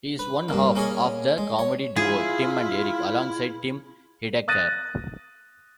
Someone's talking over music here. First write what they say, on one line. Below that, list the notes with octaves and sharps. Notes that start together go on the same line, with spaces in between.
He is one half of the comedy duo Tim and Eric, alongside Tim Heidecker.
B4
G2 A#3
A#3 C#4 G#4 C#5 D#5
G#3
C#5
E4 F4 G#4
D#6 F#6 A6 A#6 D#7